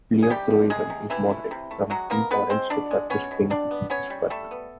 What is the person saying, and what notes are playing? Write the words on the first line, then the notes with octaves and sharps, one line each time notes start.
Pleochroism is moderate, from pink-orange or purplish pink to pinkish purple.
G#4
C3 G3 G4
F3
C3 G#3 G#4
C3
C3 E3 E4
A3
C3
A3
F#3 G#3 F#4
A#3 B3 A#4
B2 B3 B4
G#3 C4 C5
B2 D4 D5
G#3
B3 C#4 C#5
B2
G3 D4 D5
B3
B3 C#4 C#5
G3
G3 A3 A4
B3